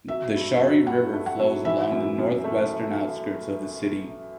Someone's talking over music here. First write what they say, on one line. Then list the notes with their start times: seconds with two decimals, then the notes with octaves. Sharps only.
The Shari River flows along the northwestern outskirts of the city.
0.08 F#3 E5
0.35 G2
0.61 F#3
0.87 G2 F#5
1.13 A3
1.26 F#5
1.39 F#3
1.65 E3 E5
1.91 F#2
2.18 F#2
2.44 A3